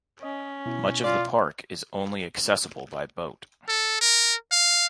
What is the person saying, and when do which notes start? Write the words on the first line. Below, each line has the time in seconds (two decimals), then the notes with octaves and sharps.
Much of the park is only accessible by boat.
0.23 C#4 D#5
0.66 B2 E4
1.04 F4 D5
3.68 A4
4.01 A#4
4.52 F5